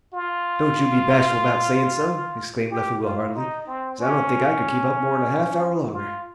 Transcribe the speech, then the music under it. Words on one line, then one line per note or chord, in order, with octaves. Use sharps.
"Don't you be bashful about sayin' so," exclaimed Leffingwell heartily, "'cause I don't think I could keep up more'n a half hour longer."
F4
G4
F4
D#4
C4
C#4
F4